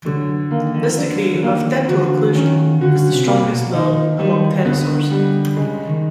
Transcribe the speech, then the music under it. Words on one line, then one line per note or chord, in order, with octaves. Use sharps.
This degree of "dental occlusion" is the strongest known among pterosaurs.
D3 E3 F#3
D#3 A#3
D#3 F3
E3 F#3 D4
E3
D#3 F3 A#3
D3 E3 F#4
D#3 C#4
D3 F#4
C3
A#3
B2
D#3 D#4
D#3 G3
D#3
D3 B3
G3
C#3 G#3
D#3